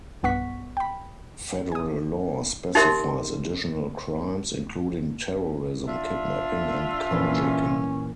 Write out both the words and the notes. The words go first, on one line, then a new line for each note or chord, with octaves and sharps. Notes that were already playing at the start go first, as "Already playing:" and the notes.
Federal law specifies additional crimes, including terrorism, kidnapping, and carjacking.
B1 G2 B3 F#5 C#6 B6
G5 B5
G#5 D#6
D#4 G4 A#4 E5 C6
D4 F4 E5
A#2 E3 C#4 B4